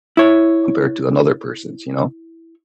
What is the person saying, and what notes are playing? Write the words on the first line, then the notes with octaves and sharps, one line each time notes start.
compared to another person's, you know.
E4 C#5